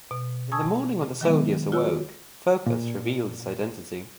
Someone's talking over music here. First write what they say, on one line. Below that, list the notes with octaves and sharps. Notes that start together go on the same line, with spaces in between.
In the morning, when the soldiers awoke, Phocas revealed his identity.
B2
G#5 A5 C#6 D#6 E6 G#6
D#3 F#3 G#3 B3
F4 F#4 C#5 E6
A#2